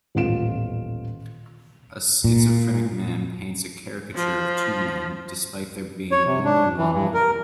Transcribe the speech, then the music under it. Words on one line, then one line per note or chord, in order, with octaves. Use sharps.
A schizophrenic man paints a caricature of two men despite there being only one woman.
D#1 A1 B3 F4 D7 E7
A#2
F3 F4
C#5
C3
D4
E3
G2
A#4